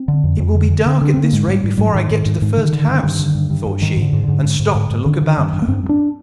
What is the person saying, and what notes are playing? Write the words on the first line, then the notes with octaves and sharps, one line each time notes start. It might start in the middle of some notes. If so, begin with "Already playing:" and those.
'It will be dark at this rate before I get to the first house,' thought she, and stopped to look about her.
Already playing: C4
D3
F2
F2
D3
D3
D3
D3 D4
D3 C4
A#3
G#2 G#3
G#2
G3
G#2
G#2 G3
F3
G#2 D#3
G#2
G#2
G#2
D3 D#3
D3
G2
G2
D3
G2
G2
G2
G#2 D#3
G#2
D3
G#2
G#2 D3
G#2
G#2
G#2
G#2
D3 D#3
D3
G2
G2
A#3
G2 C4
G2
D4